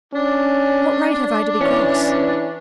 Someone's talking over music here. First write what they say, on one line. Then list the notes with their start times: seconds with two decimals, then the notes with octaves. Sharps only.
"What right have I to be cross?"
0.14 C#4 D4
1.61 E3 C#4 C#5